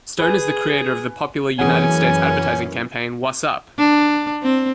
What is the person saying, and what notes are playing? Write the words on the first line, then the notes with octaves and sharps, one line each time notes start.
Stone is the creator of the popular United States advertising campaign Whassup?
G#4 B4 G#5
F#2 E3 A#3 C#4 G#4 F#5 G#5
D4
C4